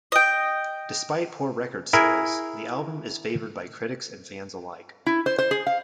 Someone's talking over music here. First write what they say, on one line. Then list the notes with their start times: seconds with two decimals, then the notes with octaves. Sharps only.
Despite poor record sales, the album is favored by critics and fans alike.
0.12 D#5 G5
1.93 E4 G#4 A#4
5.06 E4
5.26 C5
5.38 C5
5.51 G#4
5.67 F5